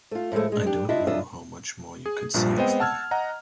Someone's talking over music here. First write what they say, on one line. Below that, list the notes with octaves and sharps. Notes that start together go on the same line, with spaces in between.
I don't know how much more you could see of me.
A3 F4
A2 F3 F#3 G#3 A3
G#3 D4
D4 G4
D4 E4 F4 D#5 E5
C#3 D4 F4 D#5 E5
G#4
A#1 G2 A#2 F3 G3
G#3 B3 C4 C5 D#5 G5
F#5 A5 E6 F6 G#6
D#5 F#5 A#5